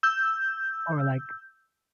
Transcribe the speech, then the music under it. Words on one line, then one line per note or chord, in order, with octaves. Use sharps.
or, like
E6 G6